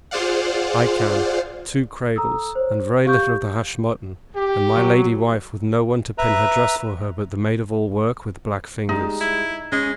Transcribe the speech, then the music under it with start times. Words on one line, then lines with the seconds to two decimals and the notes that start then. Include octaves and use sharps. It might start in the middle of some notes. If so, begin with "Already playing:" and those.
"I can;--two cradles, and very little of the hashed mutton; and my lady wife with no one to pin her dress for her but the maid of all work with black fingers."
0.11 F4 G#4 C5 D5 F5 F#5
2.16 A4 A#5 D#6 E6
2.55 C5 C#5
3.05 G4 F5 C#6 G6
4.34 G4
4.77 F#3
6.18 B4 E5 A#5
8.89 G3 G#3 D#4
9.21 E4
9.72 G#3 C#4 D#5